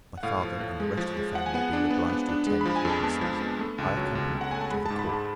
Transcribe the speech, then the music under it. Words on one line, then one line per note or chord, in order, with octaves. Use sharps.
My father and the rest of the family being obliged to attend as witnesses, I accompanied them to the court.
F#5
A2 F5
F3
A2
G#3
F3
G#3
F3 F#5
G#5
B3 F#5
D4
B3
B3
D4
G#3
F3 B5
G#5
F2 A5
B3 A5
F3
B3
A3
C#2
F#3
C#2
C#2
F#5
A3 G#5
A5
G#3 B5
G#2 A5
B5
G#2 A5